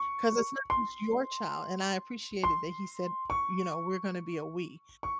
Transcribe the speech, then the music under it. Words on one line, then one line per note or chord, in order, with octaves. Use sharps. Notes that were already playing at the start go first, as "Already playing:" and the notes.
'cause it's not just your child, and I appreciated that he said, you know, "We're gonna be a we,"
Already playing: C#6
C6
C6
C#6
C#6